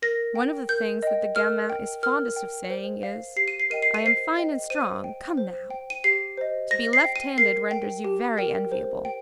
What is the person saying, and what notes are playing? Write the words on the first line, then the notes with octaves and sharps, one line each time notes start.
One of the things that the gamin is fondest of saying is: "I am fine and strong, come now!" To be left-handed renders you very enviable.
A#4 A#6
G5
A#4 G6
D#5 G5
A#4 F6
G5
A#4 F6
G5
C5
F5
G4 C7
D#7
C7
A#4 D#5 G5 D#7
C7
D#7
C5 C7
D#5 G5
C5 D#7
G5
C5
G5
D#7
G4 C7
C5 D#5
C5 A#6
C7
G5
D#7
A#4 C7
G5
G4
A#4 G5
C5
G5